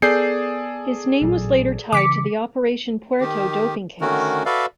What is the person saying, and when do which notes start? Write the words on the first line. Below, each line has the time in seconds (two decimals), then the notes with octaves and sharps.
His name was later tied to the Operation Puerto doping case.
0.02 B3 G#4 A4 D5 G6 C7
1.22 A1 A#2 F#3
1.93 C#3 E3 D6 B6 C#7
3.20 D#3 G4
4.01 D3 D#3 A3 C#4 F#4 A#4
4.46 F#4 A4 B4 D5 E5 F5